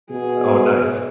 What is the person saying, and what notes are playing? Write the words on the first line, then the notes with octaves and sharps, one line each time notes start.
Oh, nice.
B2 G#4